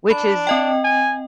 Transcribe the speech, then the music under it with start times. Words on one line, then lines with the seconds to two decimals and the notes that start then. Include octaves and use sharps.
Which is
0.10 D4 B5
0.47 C4 D#5 G5
0.84 G#5